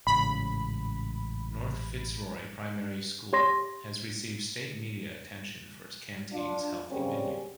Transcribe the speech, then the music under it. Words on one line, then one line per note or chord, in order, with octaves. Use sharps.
North Fitzroy Primary School has received state media attention for its canteen's healthy menu.
A1 G#2 C#3 B5
G4 C#5 C6 A#6
D4 F4
C#3 F#3 G3 A#3 C4 C#4